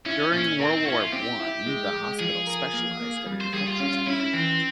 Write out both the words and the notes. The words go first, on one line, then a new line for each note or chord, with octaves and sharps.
During World War One, the hospital specialised in infectious diseases.
C#4 E4
A#2 C#4
C4 A#4
C4
C#4 E4
F4
C4 G4
E4
G#3
G#3
F3 G#4
A#4
A#3
A#3
G3
C5
G3 G#4
F4
C#4 F4
F4
C#4 E4
E4
E3 C4